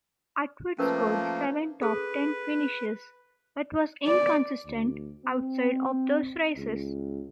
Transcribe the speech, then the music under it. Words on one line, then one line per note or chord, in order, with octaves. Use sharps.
Atwood scored seven top ten finishes, but was inconsistent outside of those races.
F3 A3 A#3 C#4 A#4 B4
G#4 A4 B4
D5
D2
C4
C#2